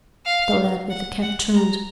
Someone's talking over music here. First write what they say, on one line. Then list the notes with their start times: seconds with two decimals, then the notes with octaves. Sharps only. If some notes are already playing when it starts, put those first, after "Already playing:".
The lad with the cap turned.
0.25 F5
0.90 F#5
1.22 F#5
1.55 A#5